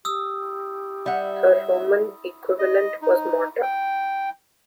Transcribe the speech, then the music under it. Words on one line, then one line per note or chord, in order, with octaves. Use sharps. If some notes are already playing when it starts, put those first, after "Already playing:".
Her Roman equivalent was Morta.
G4 D#6 E6
G3 E5 F#5
D#5
D#4
G5